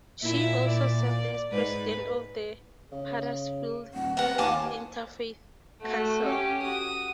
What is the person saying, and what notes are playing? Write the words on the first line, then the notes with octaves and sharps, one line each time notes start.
She also served as president of the Huddersfield Interfaith Council.
A#2 E4 E5
D5
G#2 B4
C#3
D#1 F#5
C3 A#4 B4 F#5
D#2 F5 G#5 A5 D6
A3 F#4
C#4 G4
F#4 D#6